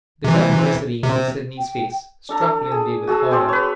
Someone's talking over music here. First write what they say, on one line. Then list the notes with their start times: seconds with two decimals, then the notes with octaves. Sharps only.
The dumb misery in Sydney's face struck Linley with horror.
0.24 C3 E3
1.03 C3
1.59 G5
2.29 D4 A4 A#5
2.41 A4
2.71 G#4
3.07 F#4 G#4 A4 E6
3.31 C4 C5 D5
3.48 B4 C#5